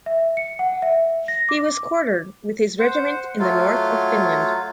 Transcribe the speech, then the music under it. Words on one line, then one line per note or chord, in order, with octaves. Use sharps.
He was quartered with his regiment in the north of Finland.
E5
C#7
F#5
E5
A#6
D6
C5 F#5
F#3 A3 F4